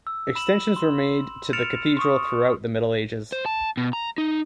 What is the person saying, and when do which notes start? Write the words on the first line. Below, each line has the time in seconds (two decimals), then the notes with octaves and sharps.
Extensions were made to the cathedral throughout the Middle Ages.
0.07 E6
0.35 B5 E7 F#7
0.76 C6
1.53 F6 A6 C#7 D7 E7 F7
1.97 C6 C#6 D#6
3.32 C5
3.46 A5
3.77 B2
3.93 A#5
4.18 D#4